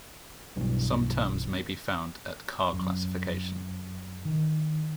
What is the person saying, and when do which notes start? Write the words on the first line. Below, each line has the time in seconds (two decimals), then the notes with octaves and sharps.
Some terms may be found at car classification.
0.56 B1 G2 B2 E3
2.73 F#2
4.25 D#3